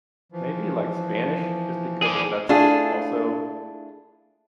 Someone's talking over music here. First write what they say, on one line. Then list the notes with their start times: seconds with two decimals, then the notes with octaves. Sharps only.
maybe, like, Spanish? Just because it that's also
0.32 E3 F3
2.02 G#4 D5
2.49 A3 D4 E4 F4 G#4